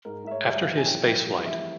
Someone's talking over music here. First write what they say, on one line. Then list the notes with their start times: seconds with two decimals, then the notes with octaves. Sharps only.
After his spaceflight.
0.05 G#2 A#4
0.24 G#2 E5
0.31 C#5
0.45 G3 E5
0.59 F5
0.65 E3
0.77 G#5
0.85 F2 G5
1.06 F2 G5
1.26 G3
1.46 E3 E5